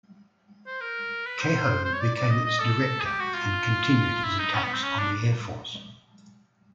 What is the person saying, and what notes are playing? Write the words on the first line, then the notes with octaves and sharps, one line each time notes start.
Keyhoe became its director and continued his attacks on the Air Force.
C5
A#4
B4
C5
C5
C#5
D5
D5
D#5
D#5
A4
G#4
G4
F#4
F4
E4
D#4
C#4
B3
C4
C#4
D4